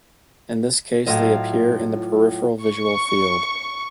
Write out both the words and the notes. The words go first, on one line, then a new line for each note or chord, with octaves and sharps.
In this case they appear in the peripheral visual field.
A2 F#3 A3 F4 D#5
C#6